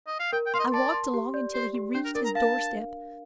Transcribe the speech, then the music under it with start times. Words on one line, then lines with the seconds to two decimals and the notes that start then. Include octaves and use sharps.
I walked along until he reached his door step.
0.07 D#5
0.20 F5
0.33 A#4 G5
0.46 G5
0.54 F5 C6
0.59 D#5
0.73 D5 A5
0.94 C6
1.14 G4
1.34 D5
1.54 G4 C5
1.75 G4
1.94 D4 C5
2.05 A#4
2.15 A#4 D5
2.25 A#5
2.35 F5 A5